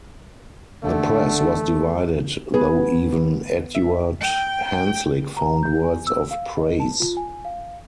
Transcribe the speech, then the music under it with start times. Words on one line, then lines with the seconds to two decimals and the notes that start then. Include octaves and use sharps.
The press was divided, though even Eduard Hanslick found words of praise.
0.83 D3 A3
2.54 B3 G#4 B4
3.75 E5
4.21 G5
5.37 A#5
5.63 G6
5.84 G#5
6.07 E6
6.31 F5
6.58 D#5
6.80 A5
7.00 F4
7.17 G#5
7.45 F5